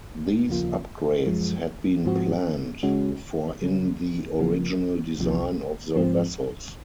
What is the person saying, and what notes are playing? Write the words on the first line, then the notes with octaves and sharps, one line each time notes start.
These upgrades had been planned for in the original design of the vessels.
D#2 C#3 F3 A#3 F4
F#2 F3 G#3
G#2 F3 C4 F#4
C#3 G#3 C#4 F#4
C#3 F#3 C#4
C#3 F3 A#3
C2 C3 F3
G#2 F3 C4